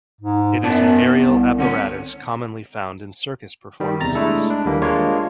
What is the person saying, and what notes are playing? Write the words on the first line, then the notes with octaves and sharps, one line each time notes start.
It is an aerial apparatus commonly found in circus performances.
G#2
F#2 B3 D5 A5
C2
D3 C4 C#4
D#3 G3
E2 C3 A#5 A6
G#3 A3 D4 E4 A4
D4
D#2 D3 E3 G3 A#3
G#3 A#3 D4 F4 C#5 F5